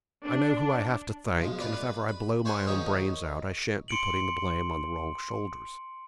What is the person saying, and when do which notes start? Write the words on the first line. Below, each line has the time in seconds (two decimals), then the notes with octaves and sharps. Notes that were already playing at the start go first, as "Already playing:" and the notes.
I know who I have to thank; and if ever I blow my own brains out I shan't be putting the blame on the wrong shoulders.
0.24 D4
1.39 B1 F3 G#3
1.59 D4 F4 B4 F5 B5
1.74 B4
2.09 B5
2.45 C5 C#5 E5 F#5 G#5 C6
2.67 D#3 F3 C#4 D#4 G#4
3.88 C6 C#7 D7 F#7